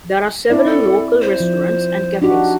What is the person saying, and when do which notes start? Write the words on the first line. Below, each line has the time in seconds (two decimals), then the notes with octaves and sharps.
There are several local restaurants and cafes.
0.50 C4 D4 E4 D5
0.66 A4
1.21 C5
1.40 F3
2.22 D4 D#4 F#4 G4